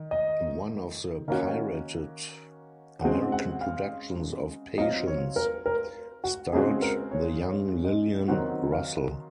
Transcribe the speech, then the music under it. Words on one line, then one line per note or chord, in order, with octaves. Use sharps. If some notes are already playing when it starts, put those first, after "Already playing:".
One of the "pirated" American productions of "Patience" starred the young Lillian Russell.
Already playing: D#3
D#5
D#3 A#3 C#4 F#4 F5
C#3 G#3 C4 F#4 F#5
F#5
F5
F#3 C4 F4 D#5
C#5
A#4
A#4
F#4
C#3 G#3 C4 F#4 G#4
A#4
C#5
C#5
D#5
D#3 F#3 C4 F#4 F#5
F5